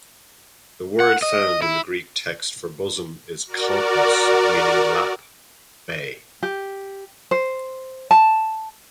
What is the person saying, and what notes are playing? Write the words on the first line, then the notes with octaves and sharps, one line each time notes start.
The word found in the Greek text for "bosom" is kolpos, meaning "lap" "bay".
F#5
D#5
E4
F#4 A#4 D5
G4
C5
A5